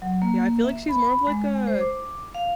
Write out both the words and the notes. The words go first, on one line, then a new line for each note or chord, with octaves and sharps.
Yeah, I feel, like, she's more of, like, a
F#3
A#3
E5
B5
G#3
C5
D6
F5